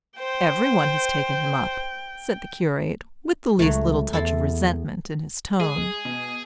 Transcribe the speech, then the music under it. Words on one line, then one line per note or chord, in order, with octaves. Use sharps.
"Every one has taken him up," said the curate, with the least little touch of resentment in his tone.
C5 G5
C#2 F#3 A3
E2 E4 A4 C6
G#3 G#4
B2